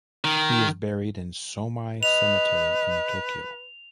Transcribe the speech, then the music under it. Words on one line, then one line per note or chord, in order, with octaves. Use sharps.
He is buried in Somei cemetery in Tokyo.
D#3
B4 D#5 F7